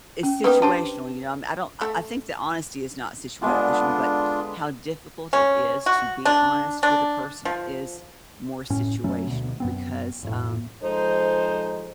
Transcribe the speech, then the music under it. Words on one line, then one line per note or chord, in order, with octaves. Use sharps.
it's situational, you know, I'm I don't I I think that honesty is not situational, but how difficult it is to be honest with a person is more situational, because, um,
C#4
A#3 B3 D#4 B4 G5
D4 G4 C5 A5
A3
D3 G#3 B3 D4 F4
C#4
F#4
D4
D4
F3
F#1 A2 C#4
F#2 F#3 A3 C#4
D2 B2
F#2 B3 C4
E1 F2 A2
F3 G#3 D#4 A4 C5